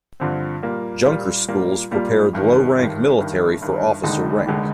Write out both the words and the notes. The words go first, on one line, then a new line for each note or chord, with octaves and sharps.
Junker schools prepared low-rank military for officer rank.
G2 D3 F3 C4
A#2 G3 A#3 F4
A#2 G3 A#3 F4
A#2 G3 A#3 F4
A#2 G3 A#3 F4
G1 G2 D#3
G1 G2 D#3
G1 G2 D#3
G1 G2 D#3
F1 D#2 D3 G#3 D#4
F1 D#2 D3 G#3 D#4